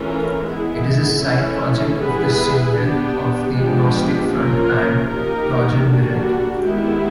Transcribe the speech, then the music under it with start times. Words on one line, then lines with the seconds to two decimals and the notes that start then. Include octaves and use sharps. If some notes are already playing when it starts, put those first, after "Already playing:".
It is a side project of the singer of the Agnostic Front band, Roger Miret.
Already playing: E3 A3 C#4 F4 A#4
0.40 G#3 B3 E4 G#4
1.18 E3 A3 C#4 E4 A4
1.95 G3 B3 E4 G#4 B4
2.73 B3 D4 G4
3.51 F3 G#3 B3 D4 G4
4.29 F3 A#3 C#4 F4 A#4
5.07 A#3 D#4 G4 A#4
5.85 D3 G3 A#3 D4 F#4
6.62 D#3 G#3 B3 E4 G4